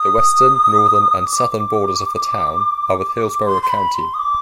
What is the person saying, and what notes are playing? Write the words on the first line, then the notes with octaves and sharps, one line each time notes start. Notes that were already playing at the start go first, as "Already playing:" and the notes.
The western, northern, and southern borders of the town are with Hillsborough County.
Already playing: D#6
D6
C6
C6
B5
C6
D#6
D6